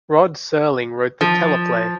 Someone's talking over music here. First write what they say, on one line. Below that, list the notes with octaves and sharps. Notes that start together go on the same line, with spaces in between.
Rod Serling wrote the teleplay.
F3